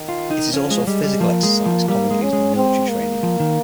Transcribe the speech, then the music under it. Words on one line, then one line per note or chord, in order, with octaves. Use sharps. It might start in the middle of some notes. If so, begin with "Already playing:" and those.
It is also a physical exercise commonly used in military training.
Already playing: D#3
F4
D#4
F3 C#4
G#3
G3 G#3
G3
F3 A#3
G#3
F3
G3 A#3
G#3
C#4
G#3
C4
A#3
F3
D#3